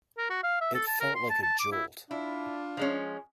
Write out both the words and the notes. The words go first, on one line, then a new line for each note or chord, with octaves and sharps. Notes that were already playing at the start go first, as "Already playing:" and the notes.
It felt like a jolt.
A#4
F#4
F5
E5
A4
A5
A#4
C6
A5
A5
D6
E4
D4 E4 F4
F3 G#3 C#4